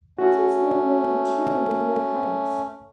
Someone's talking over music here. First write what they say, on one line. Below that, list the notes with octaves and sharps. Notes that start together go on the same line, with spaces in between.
That is no longer true in the real case.
A3 C#4 F#4